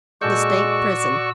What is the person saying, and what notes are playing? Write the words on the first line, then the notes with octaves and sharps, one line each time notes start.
The State Prison.
A#2 G#3 F#4 A4 D5 C#6 E6 G6